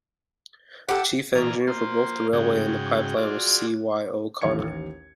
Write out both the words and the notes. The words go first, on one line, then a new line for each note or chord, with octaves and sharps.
The chief engineer for both the railway and the pipeline was C. Y. O'Connor.
G4 A4 F#5
A#2 E3 D5 F5 G#5 A#5
A#3 F4 C5
G#2 C#3 F#4 G#4 G5
F4 F#4 G#4 D5
A1 D#2 F5 G#6 C#7